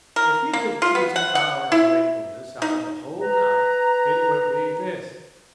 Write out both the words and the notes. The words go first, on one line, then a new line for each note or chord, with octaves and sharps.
If you could choose an hour of wakefulness out of the whole night, it would be this.
A#4
A#3
F4
B3
F#5
F#5
E4
D#4
B4 A#5